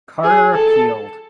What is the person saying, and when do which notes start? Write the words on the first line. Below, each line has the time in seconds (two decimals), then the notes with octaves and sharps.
Carter appealed.
0.24 G#4
0.54 A4